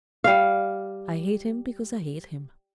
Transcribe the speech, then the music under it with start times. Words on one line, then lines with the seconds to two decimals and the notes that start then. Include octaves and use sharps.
I hate him because I hate him.
0.24 G3 F5